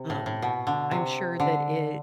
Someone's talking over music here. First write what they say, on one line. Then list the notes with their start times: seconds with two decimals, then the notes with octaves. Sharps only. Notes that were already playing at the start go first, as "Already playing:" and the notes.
um, I'm sure that it
Already playing: C3
0.10 A2
0.26 A2
0.42 B2
0.67 D3
0.91 C3
1.40 D3